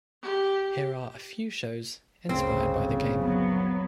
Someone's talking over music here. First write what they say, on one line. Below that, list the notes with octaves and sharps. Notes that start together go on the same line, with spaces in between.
Here are a few shows inspired by the game.
G4
G1 D2 A#2 C#3 C4
F#3 B3